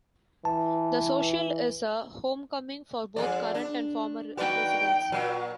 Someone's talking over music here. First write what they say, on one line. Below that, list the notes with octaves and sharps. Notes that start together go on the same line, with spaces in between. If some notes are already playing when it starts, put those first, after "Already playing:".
"The Social" is a homecoming for both current and former residents.
E3 A5
F2 G#3 D5
D4
D#4 F#4 B4 D5 G5
A#2 F#3